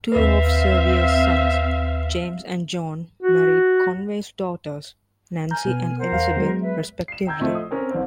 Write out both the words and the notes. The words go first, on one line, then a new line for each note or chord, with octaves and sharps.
Two of Sevier's sons, James and John, married Conway's daughters, Nancy and Elizabeth, respectively.
D#2 C4 B4 E5 F5
F#4
G#5 A#5 F6 G6
B2 B3
A#4 C5 F#5
E2 F5
F#3 G#3 B3
B4 E5
C7 E7
G5 A#5 E6 G6 G#6
F3 A3 F4 D#5
D#6
C4 C#4 A#4
A1 C4